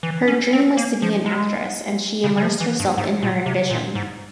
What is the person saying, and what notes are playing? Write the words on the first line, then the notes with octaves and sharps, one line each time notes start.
Her dream was to be an actress and she immersed herself in her ambition.
E3
C#4
C4
A#3
F3
G#3
C#3
G3
F3
E3
G2
G#2
A#2
C3
A#2
G#2